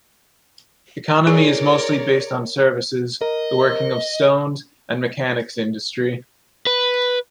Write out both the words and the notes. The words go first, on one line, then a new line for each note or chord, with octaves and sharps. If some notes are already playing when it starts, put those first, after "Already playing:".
Economy is mostly based on services, the working of stones, and mechanics industry.
E4 G#4 A#4 C#5 D5
A#4 D#5
B4